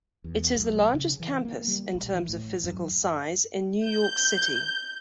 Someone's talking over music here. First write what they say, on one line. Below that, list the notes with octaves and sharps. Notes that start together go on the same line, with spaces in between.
It is the largest campus, in terms of physical size, in New York City.
E2
B1
C#3
E3
A#3
G3
A#1
E3
A2
F#2
G6